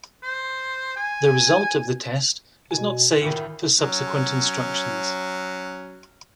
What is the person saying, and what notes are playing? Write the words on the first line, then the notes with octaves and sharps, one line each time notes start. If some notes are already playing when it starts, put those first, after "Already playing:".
The result of the test is not saved for subsequent instructions.
C5
G#5
B2 G#5
D2 A2 D#3
F#3 C#4